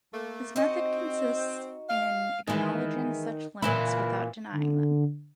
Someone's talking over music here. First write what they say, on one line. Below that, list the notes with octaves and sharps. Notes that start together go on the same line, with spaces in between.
His method consists in acknowledging such limits without denying them.
A3 A#3
C4 D#4 F#4 D#5
F5
D#3 E3 G#3
A#2 E3 E4 F4 B4 B5
D3